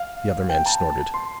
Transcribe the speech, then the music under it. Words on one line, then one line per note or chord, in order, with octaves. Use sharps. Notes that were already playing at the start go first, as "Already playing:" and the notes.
The other man snorted.
Already playing: F5
G5
A5
C6